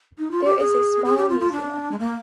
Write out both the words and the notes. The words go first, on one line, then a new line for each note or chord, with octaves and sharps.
There is a small museum.
D#4
F4
G4
G#4
G#4
G4
F4
F4
D4
G#3
A#3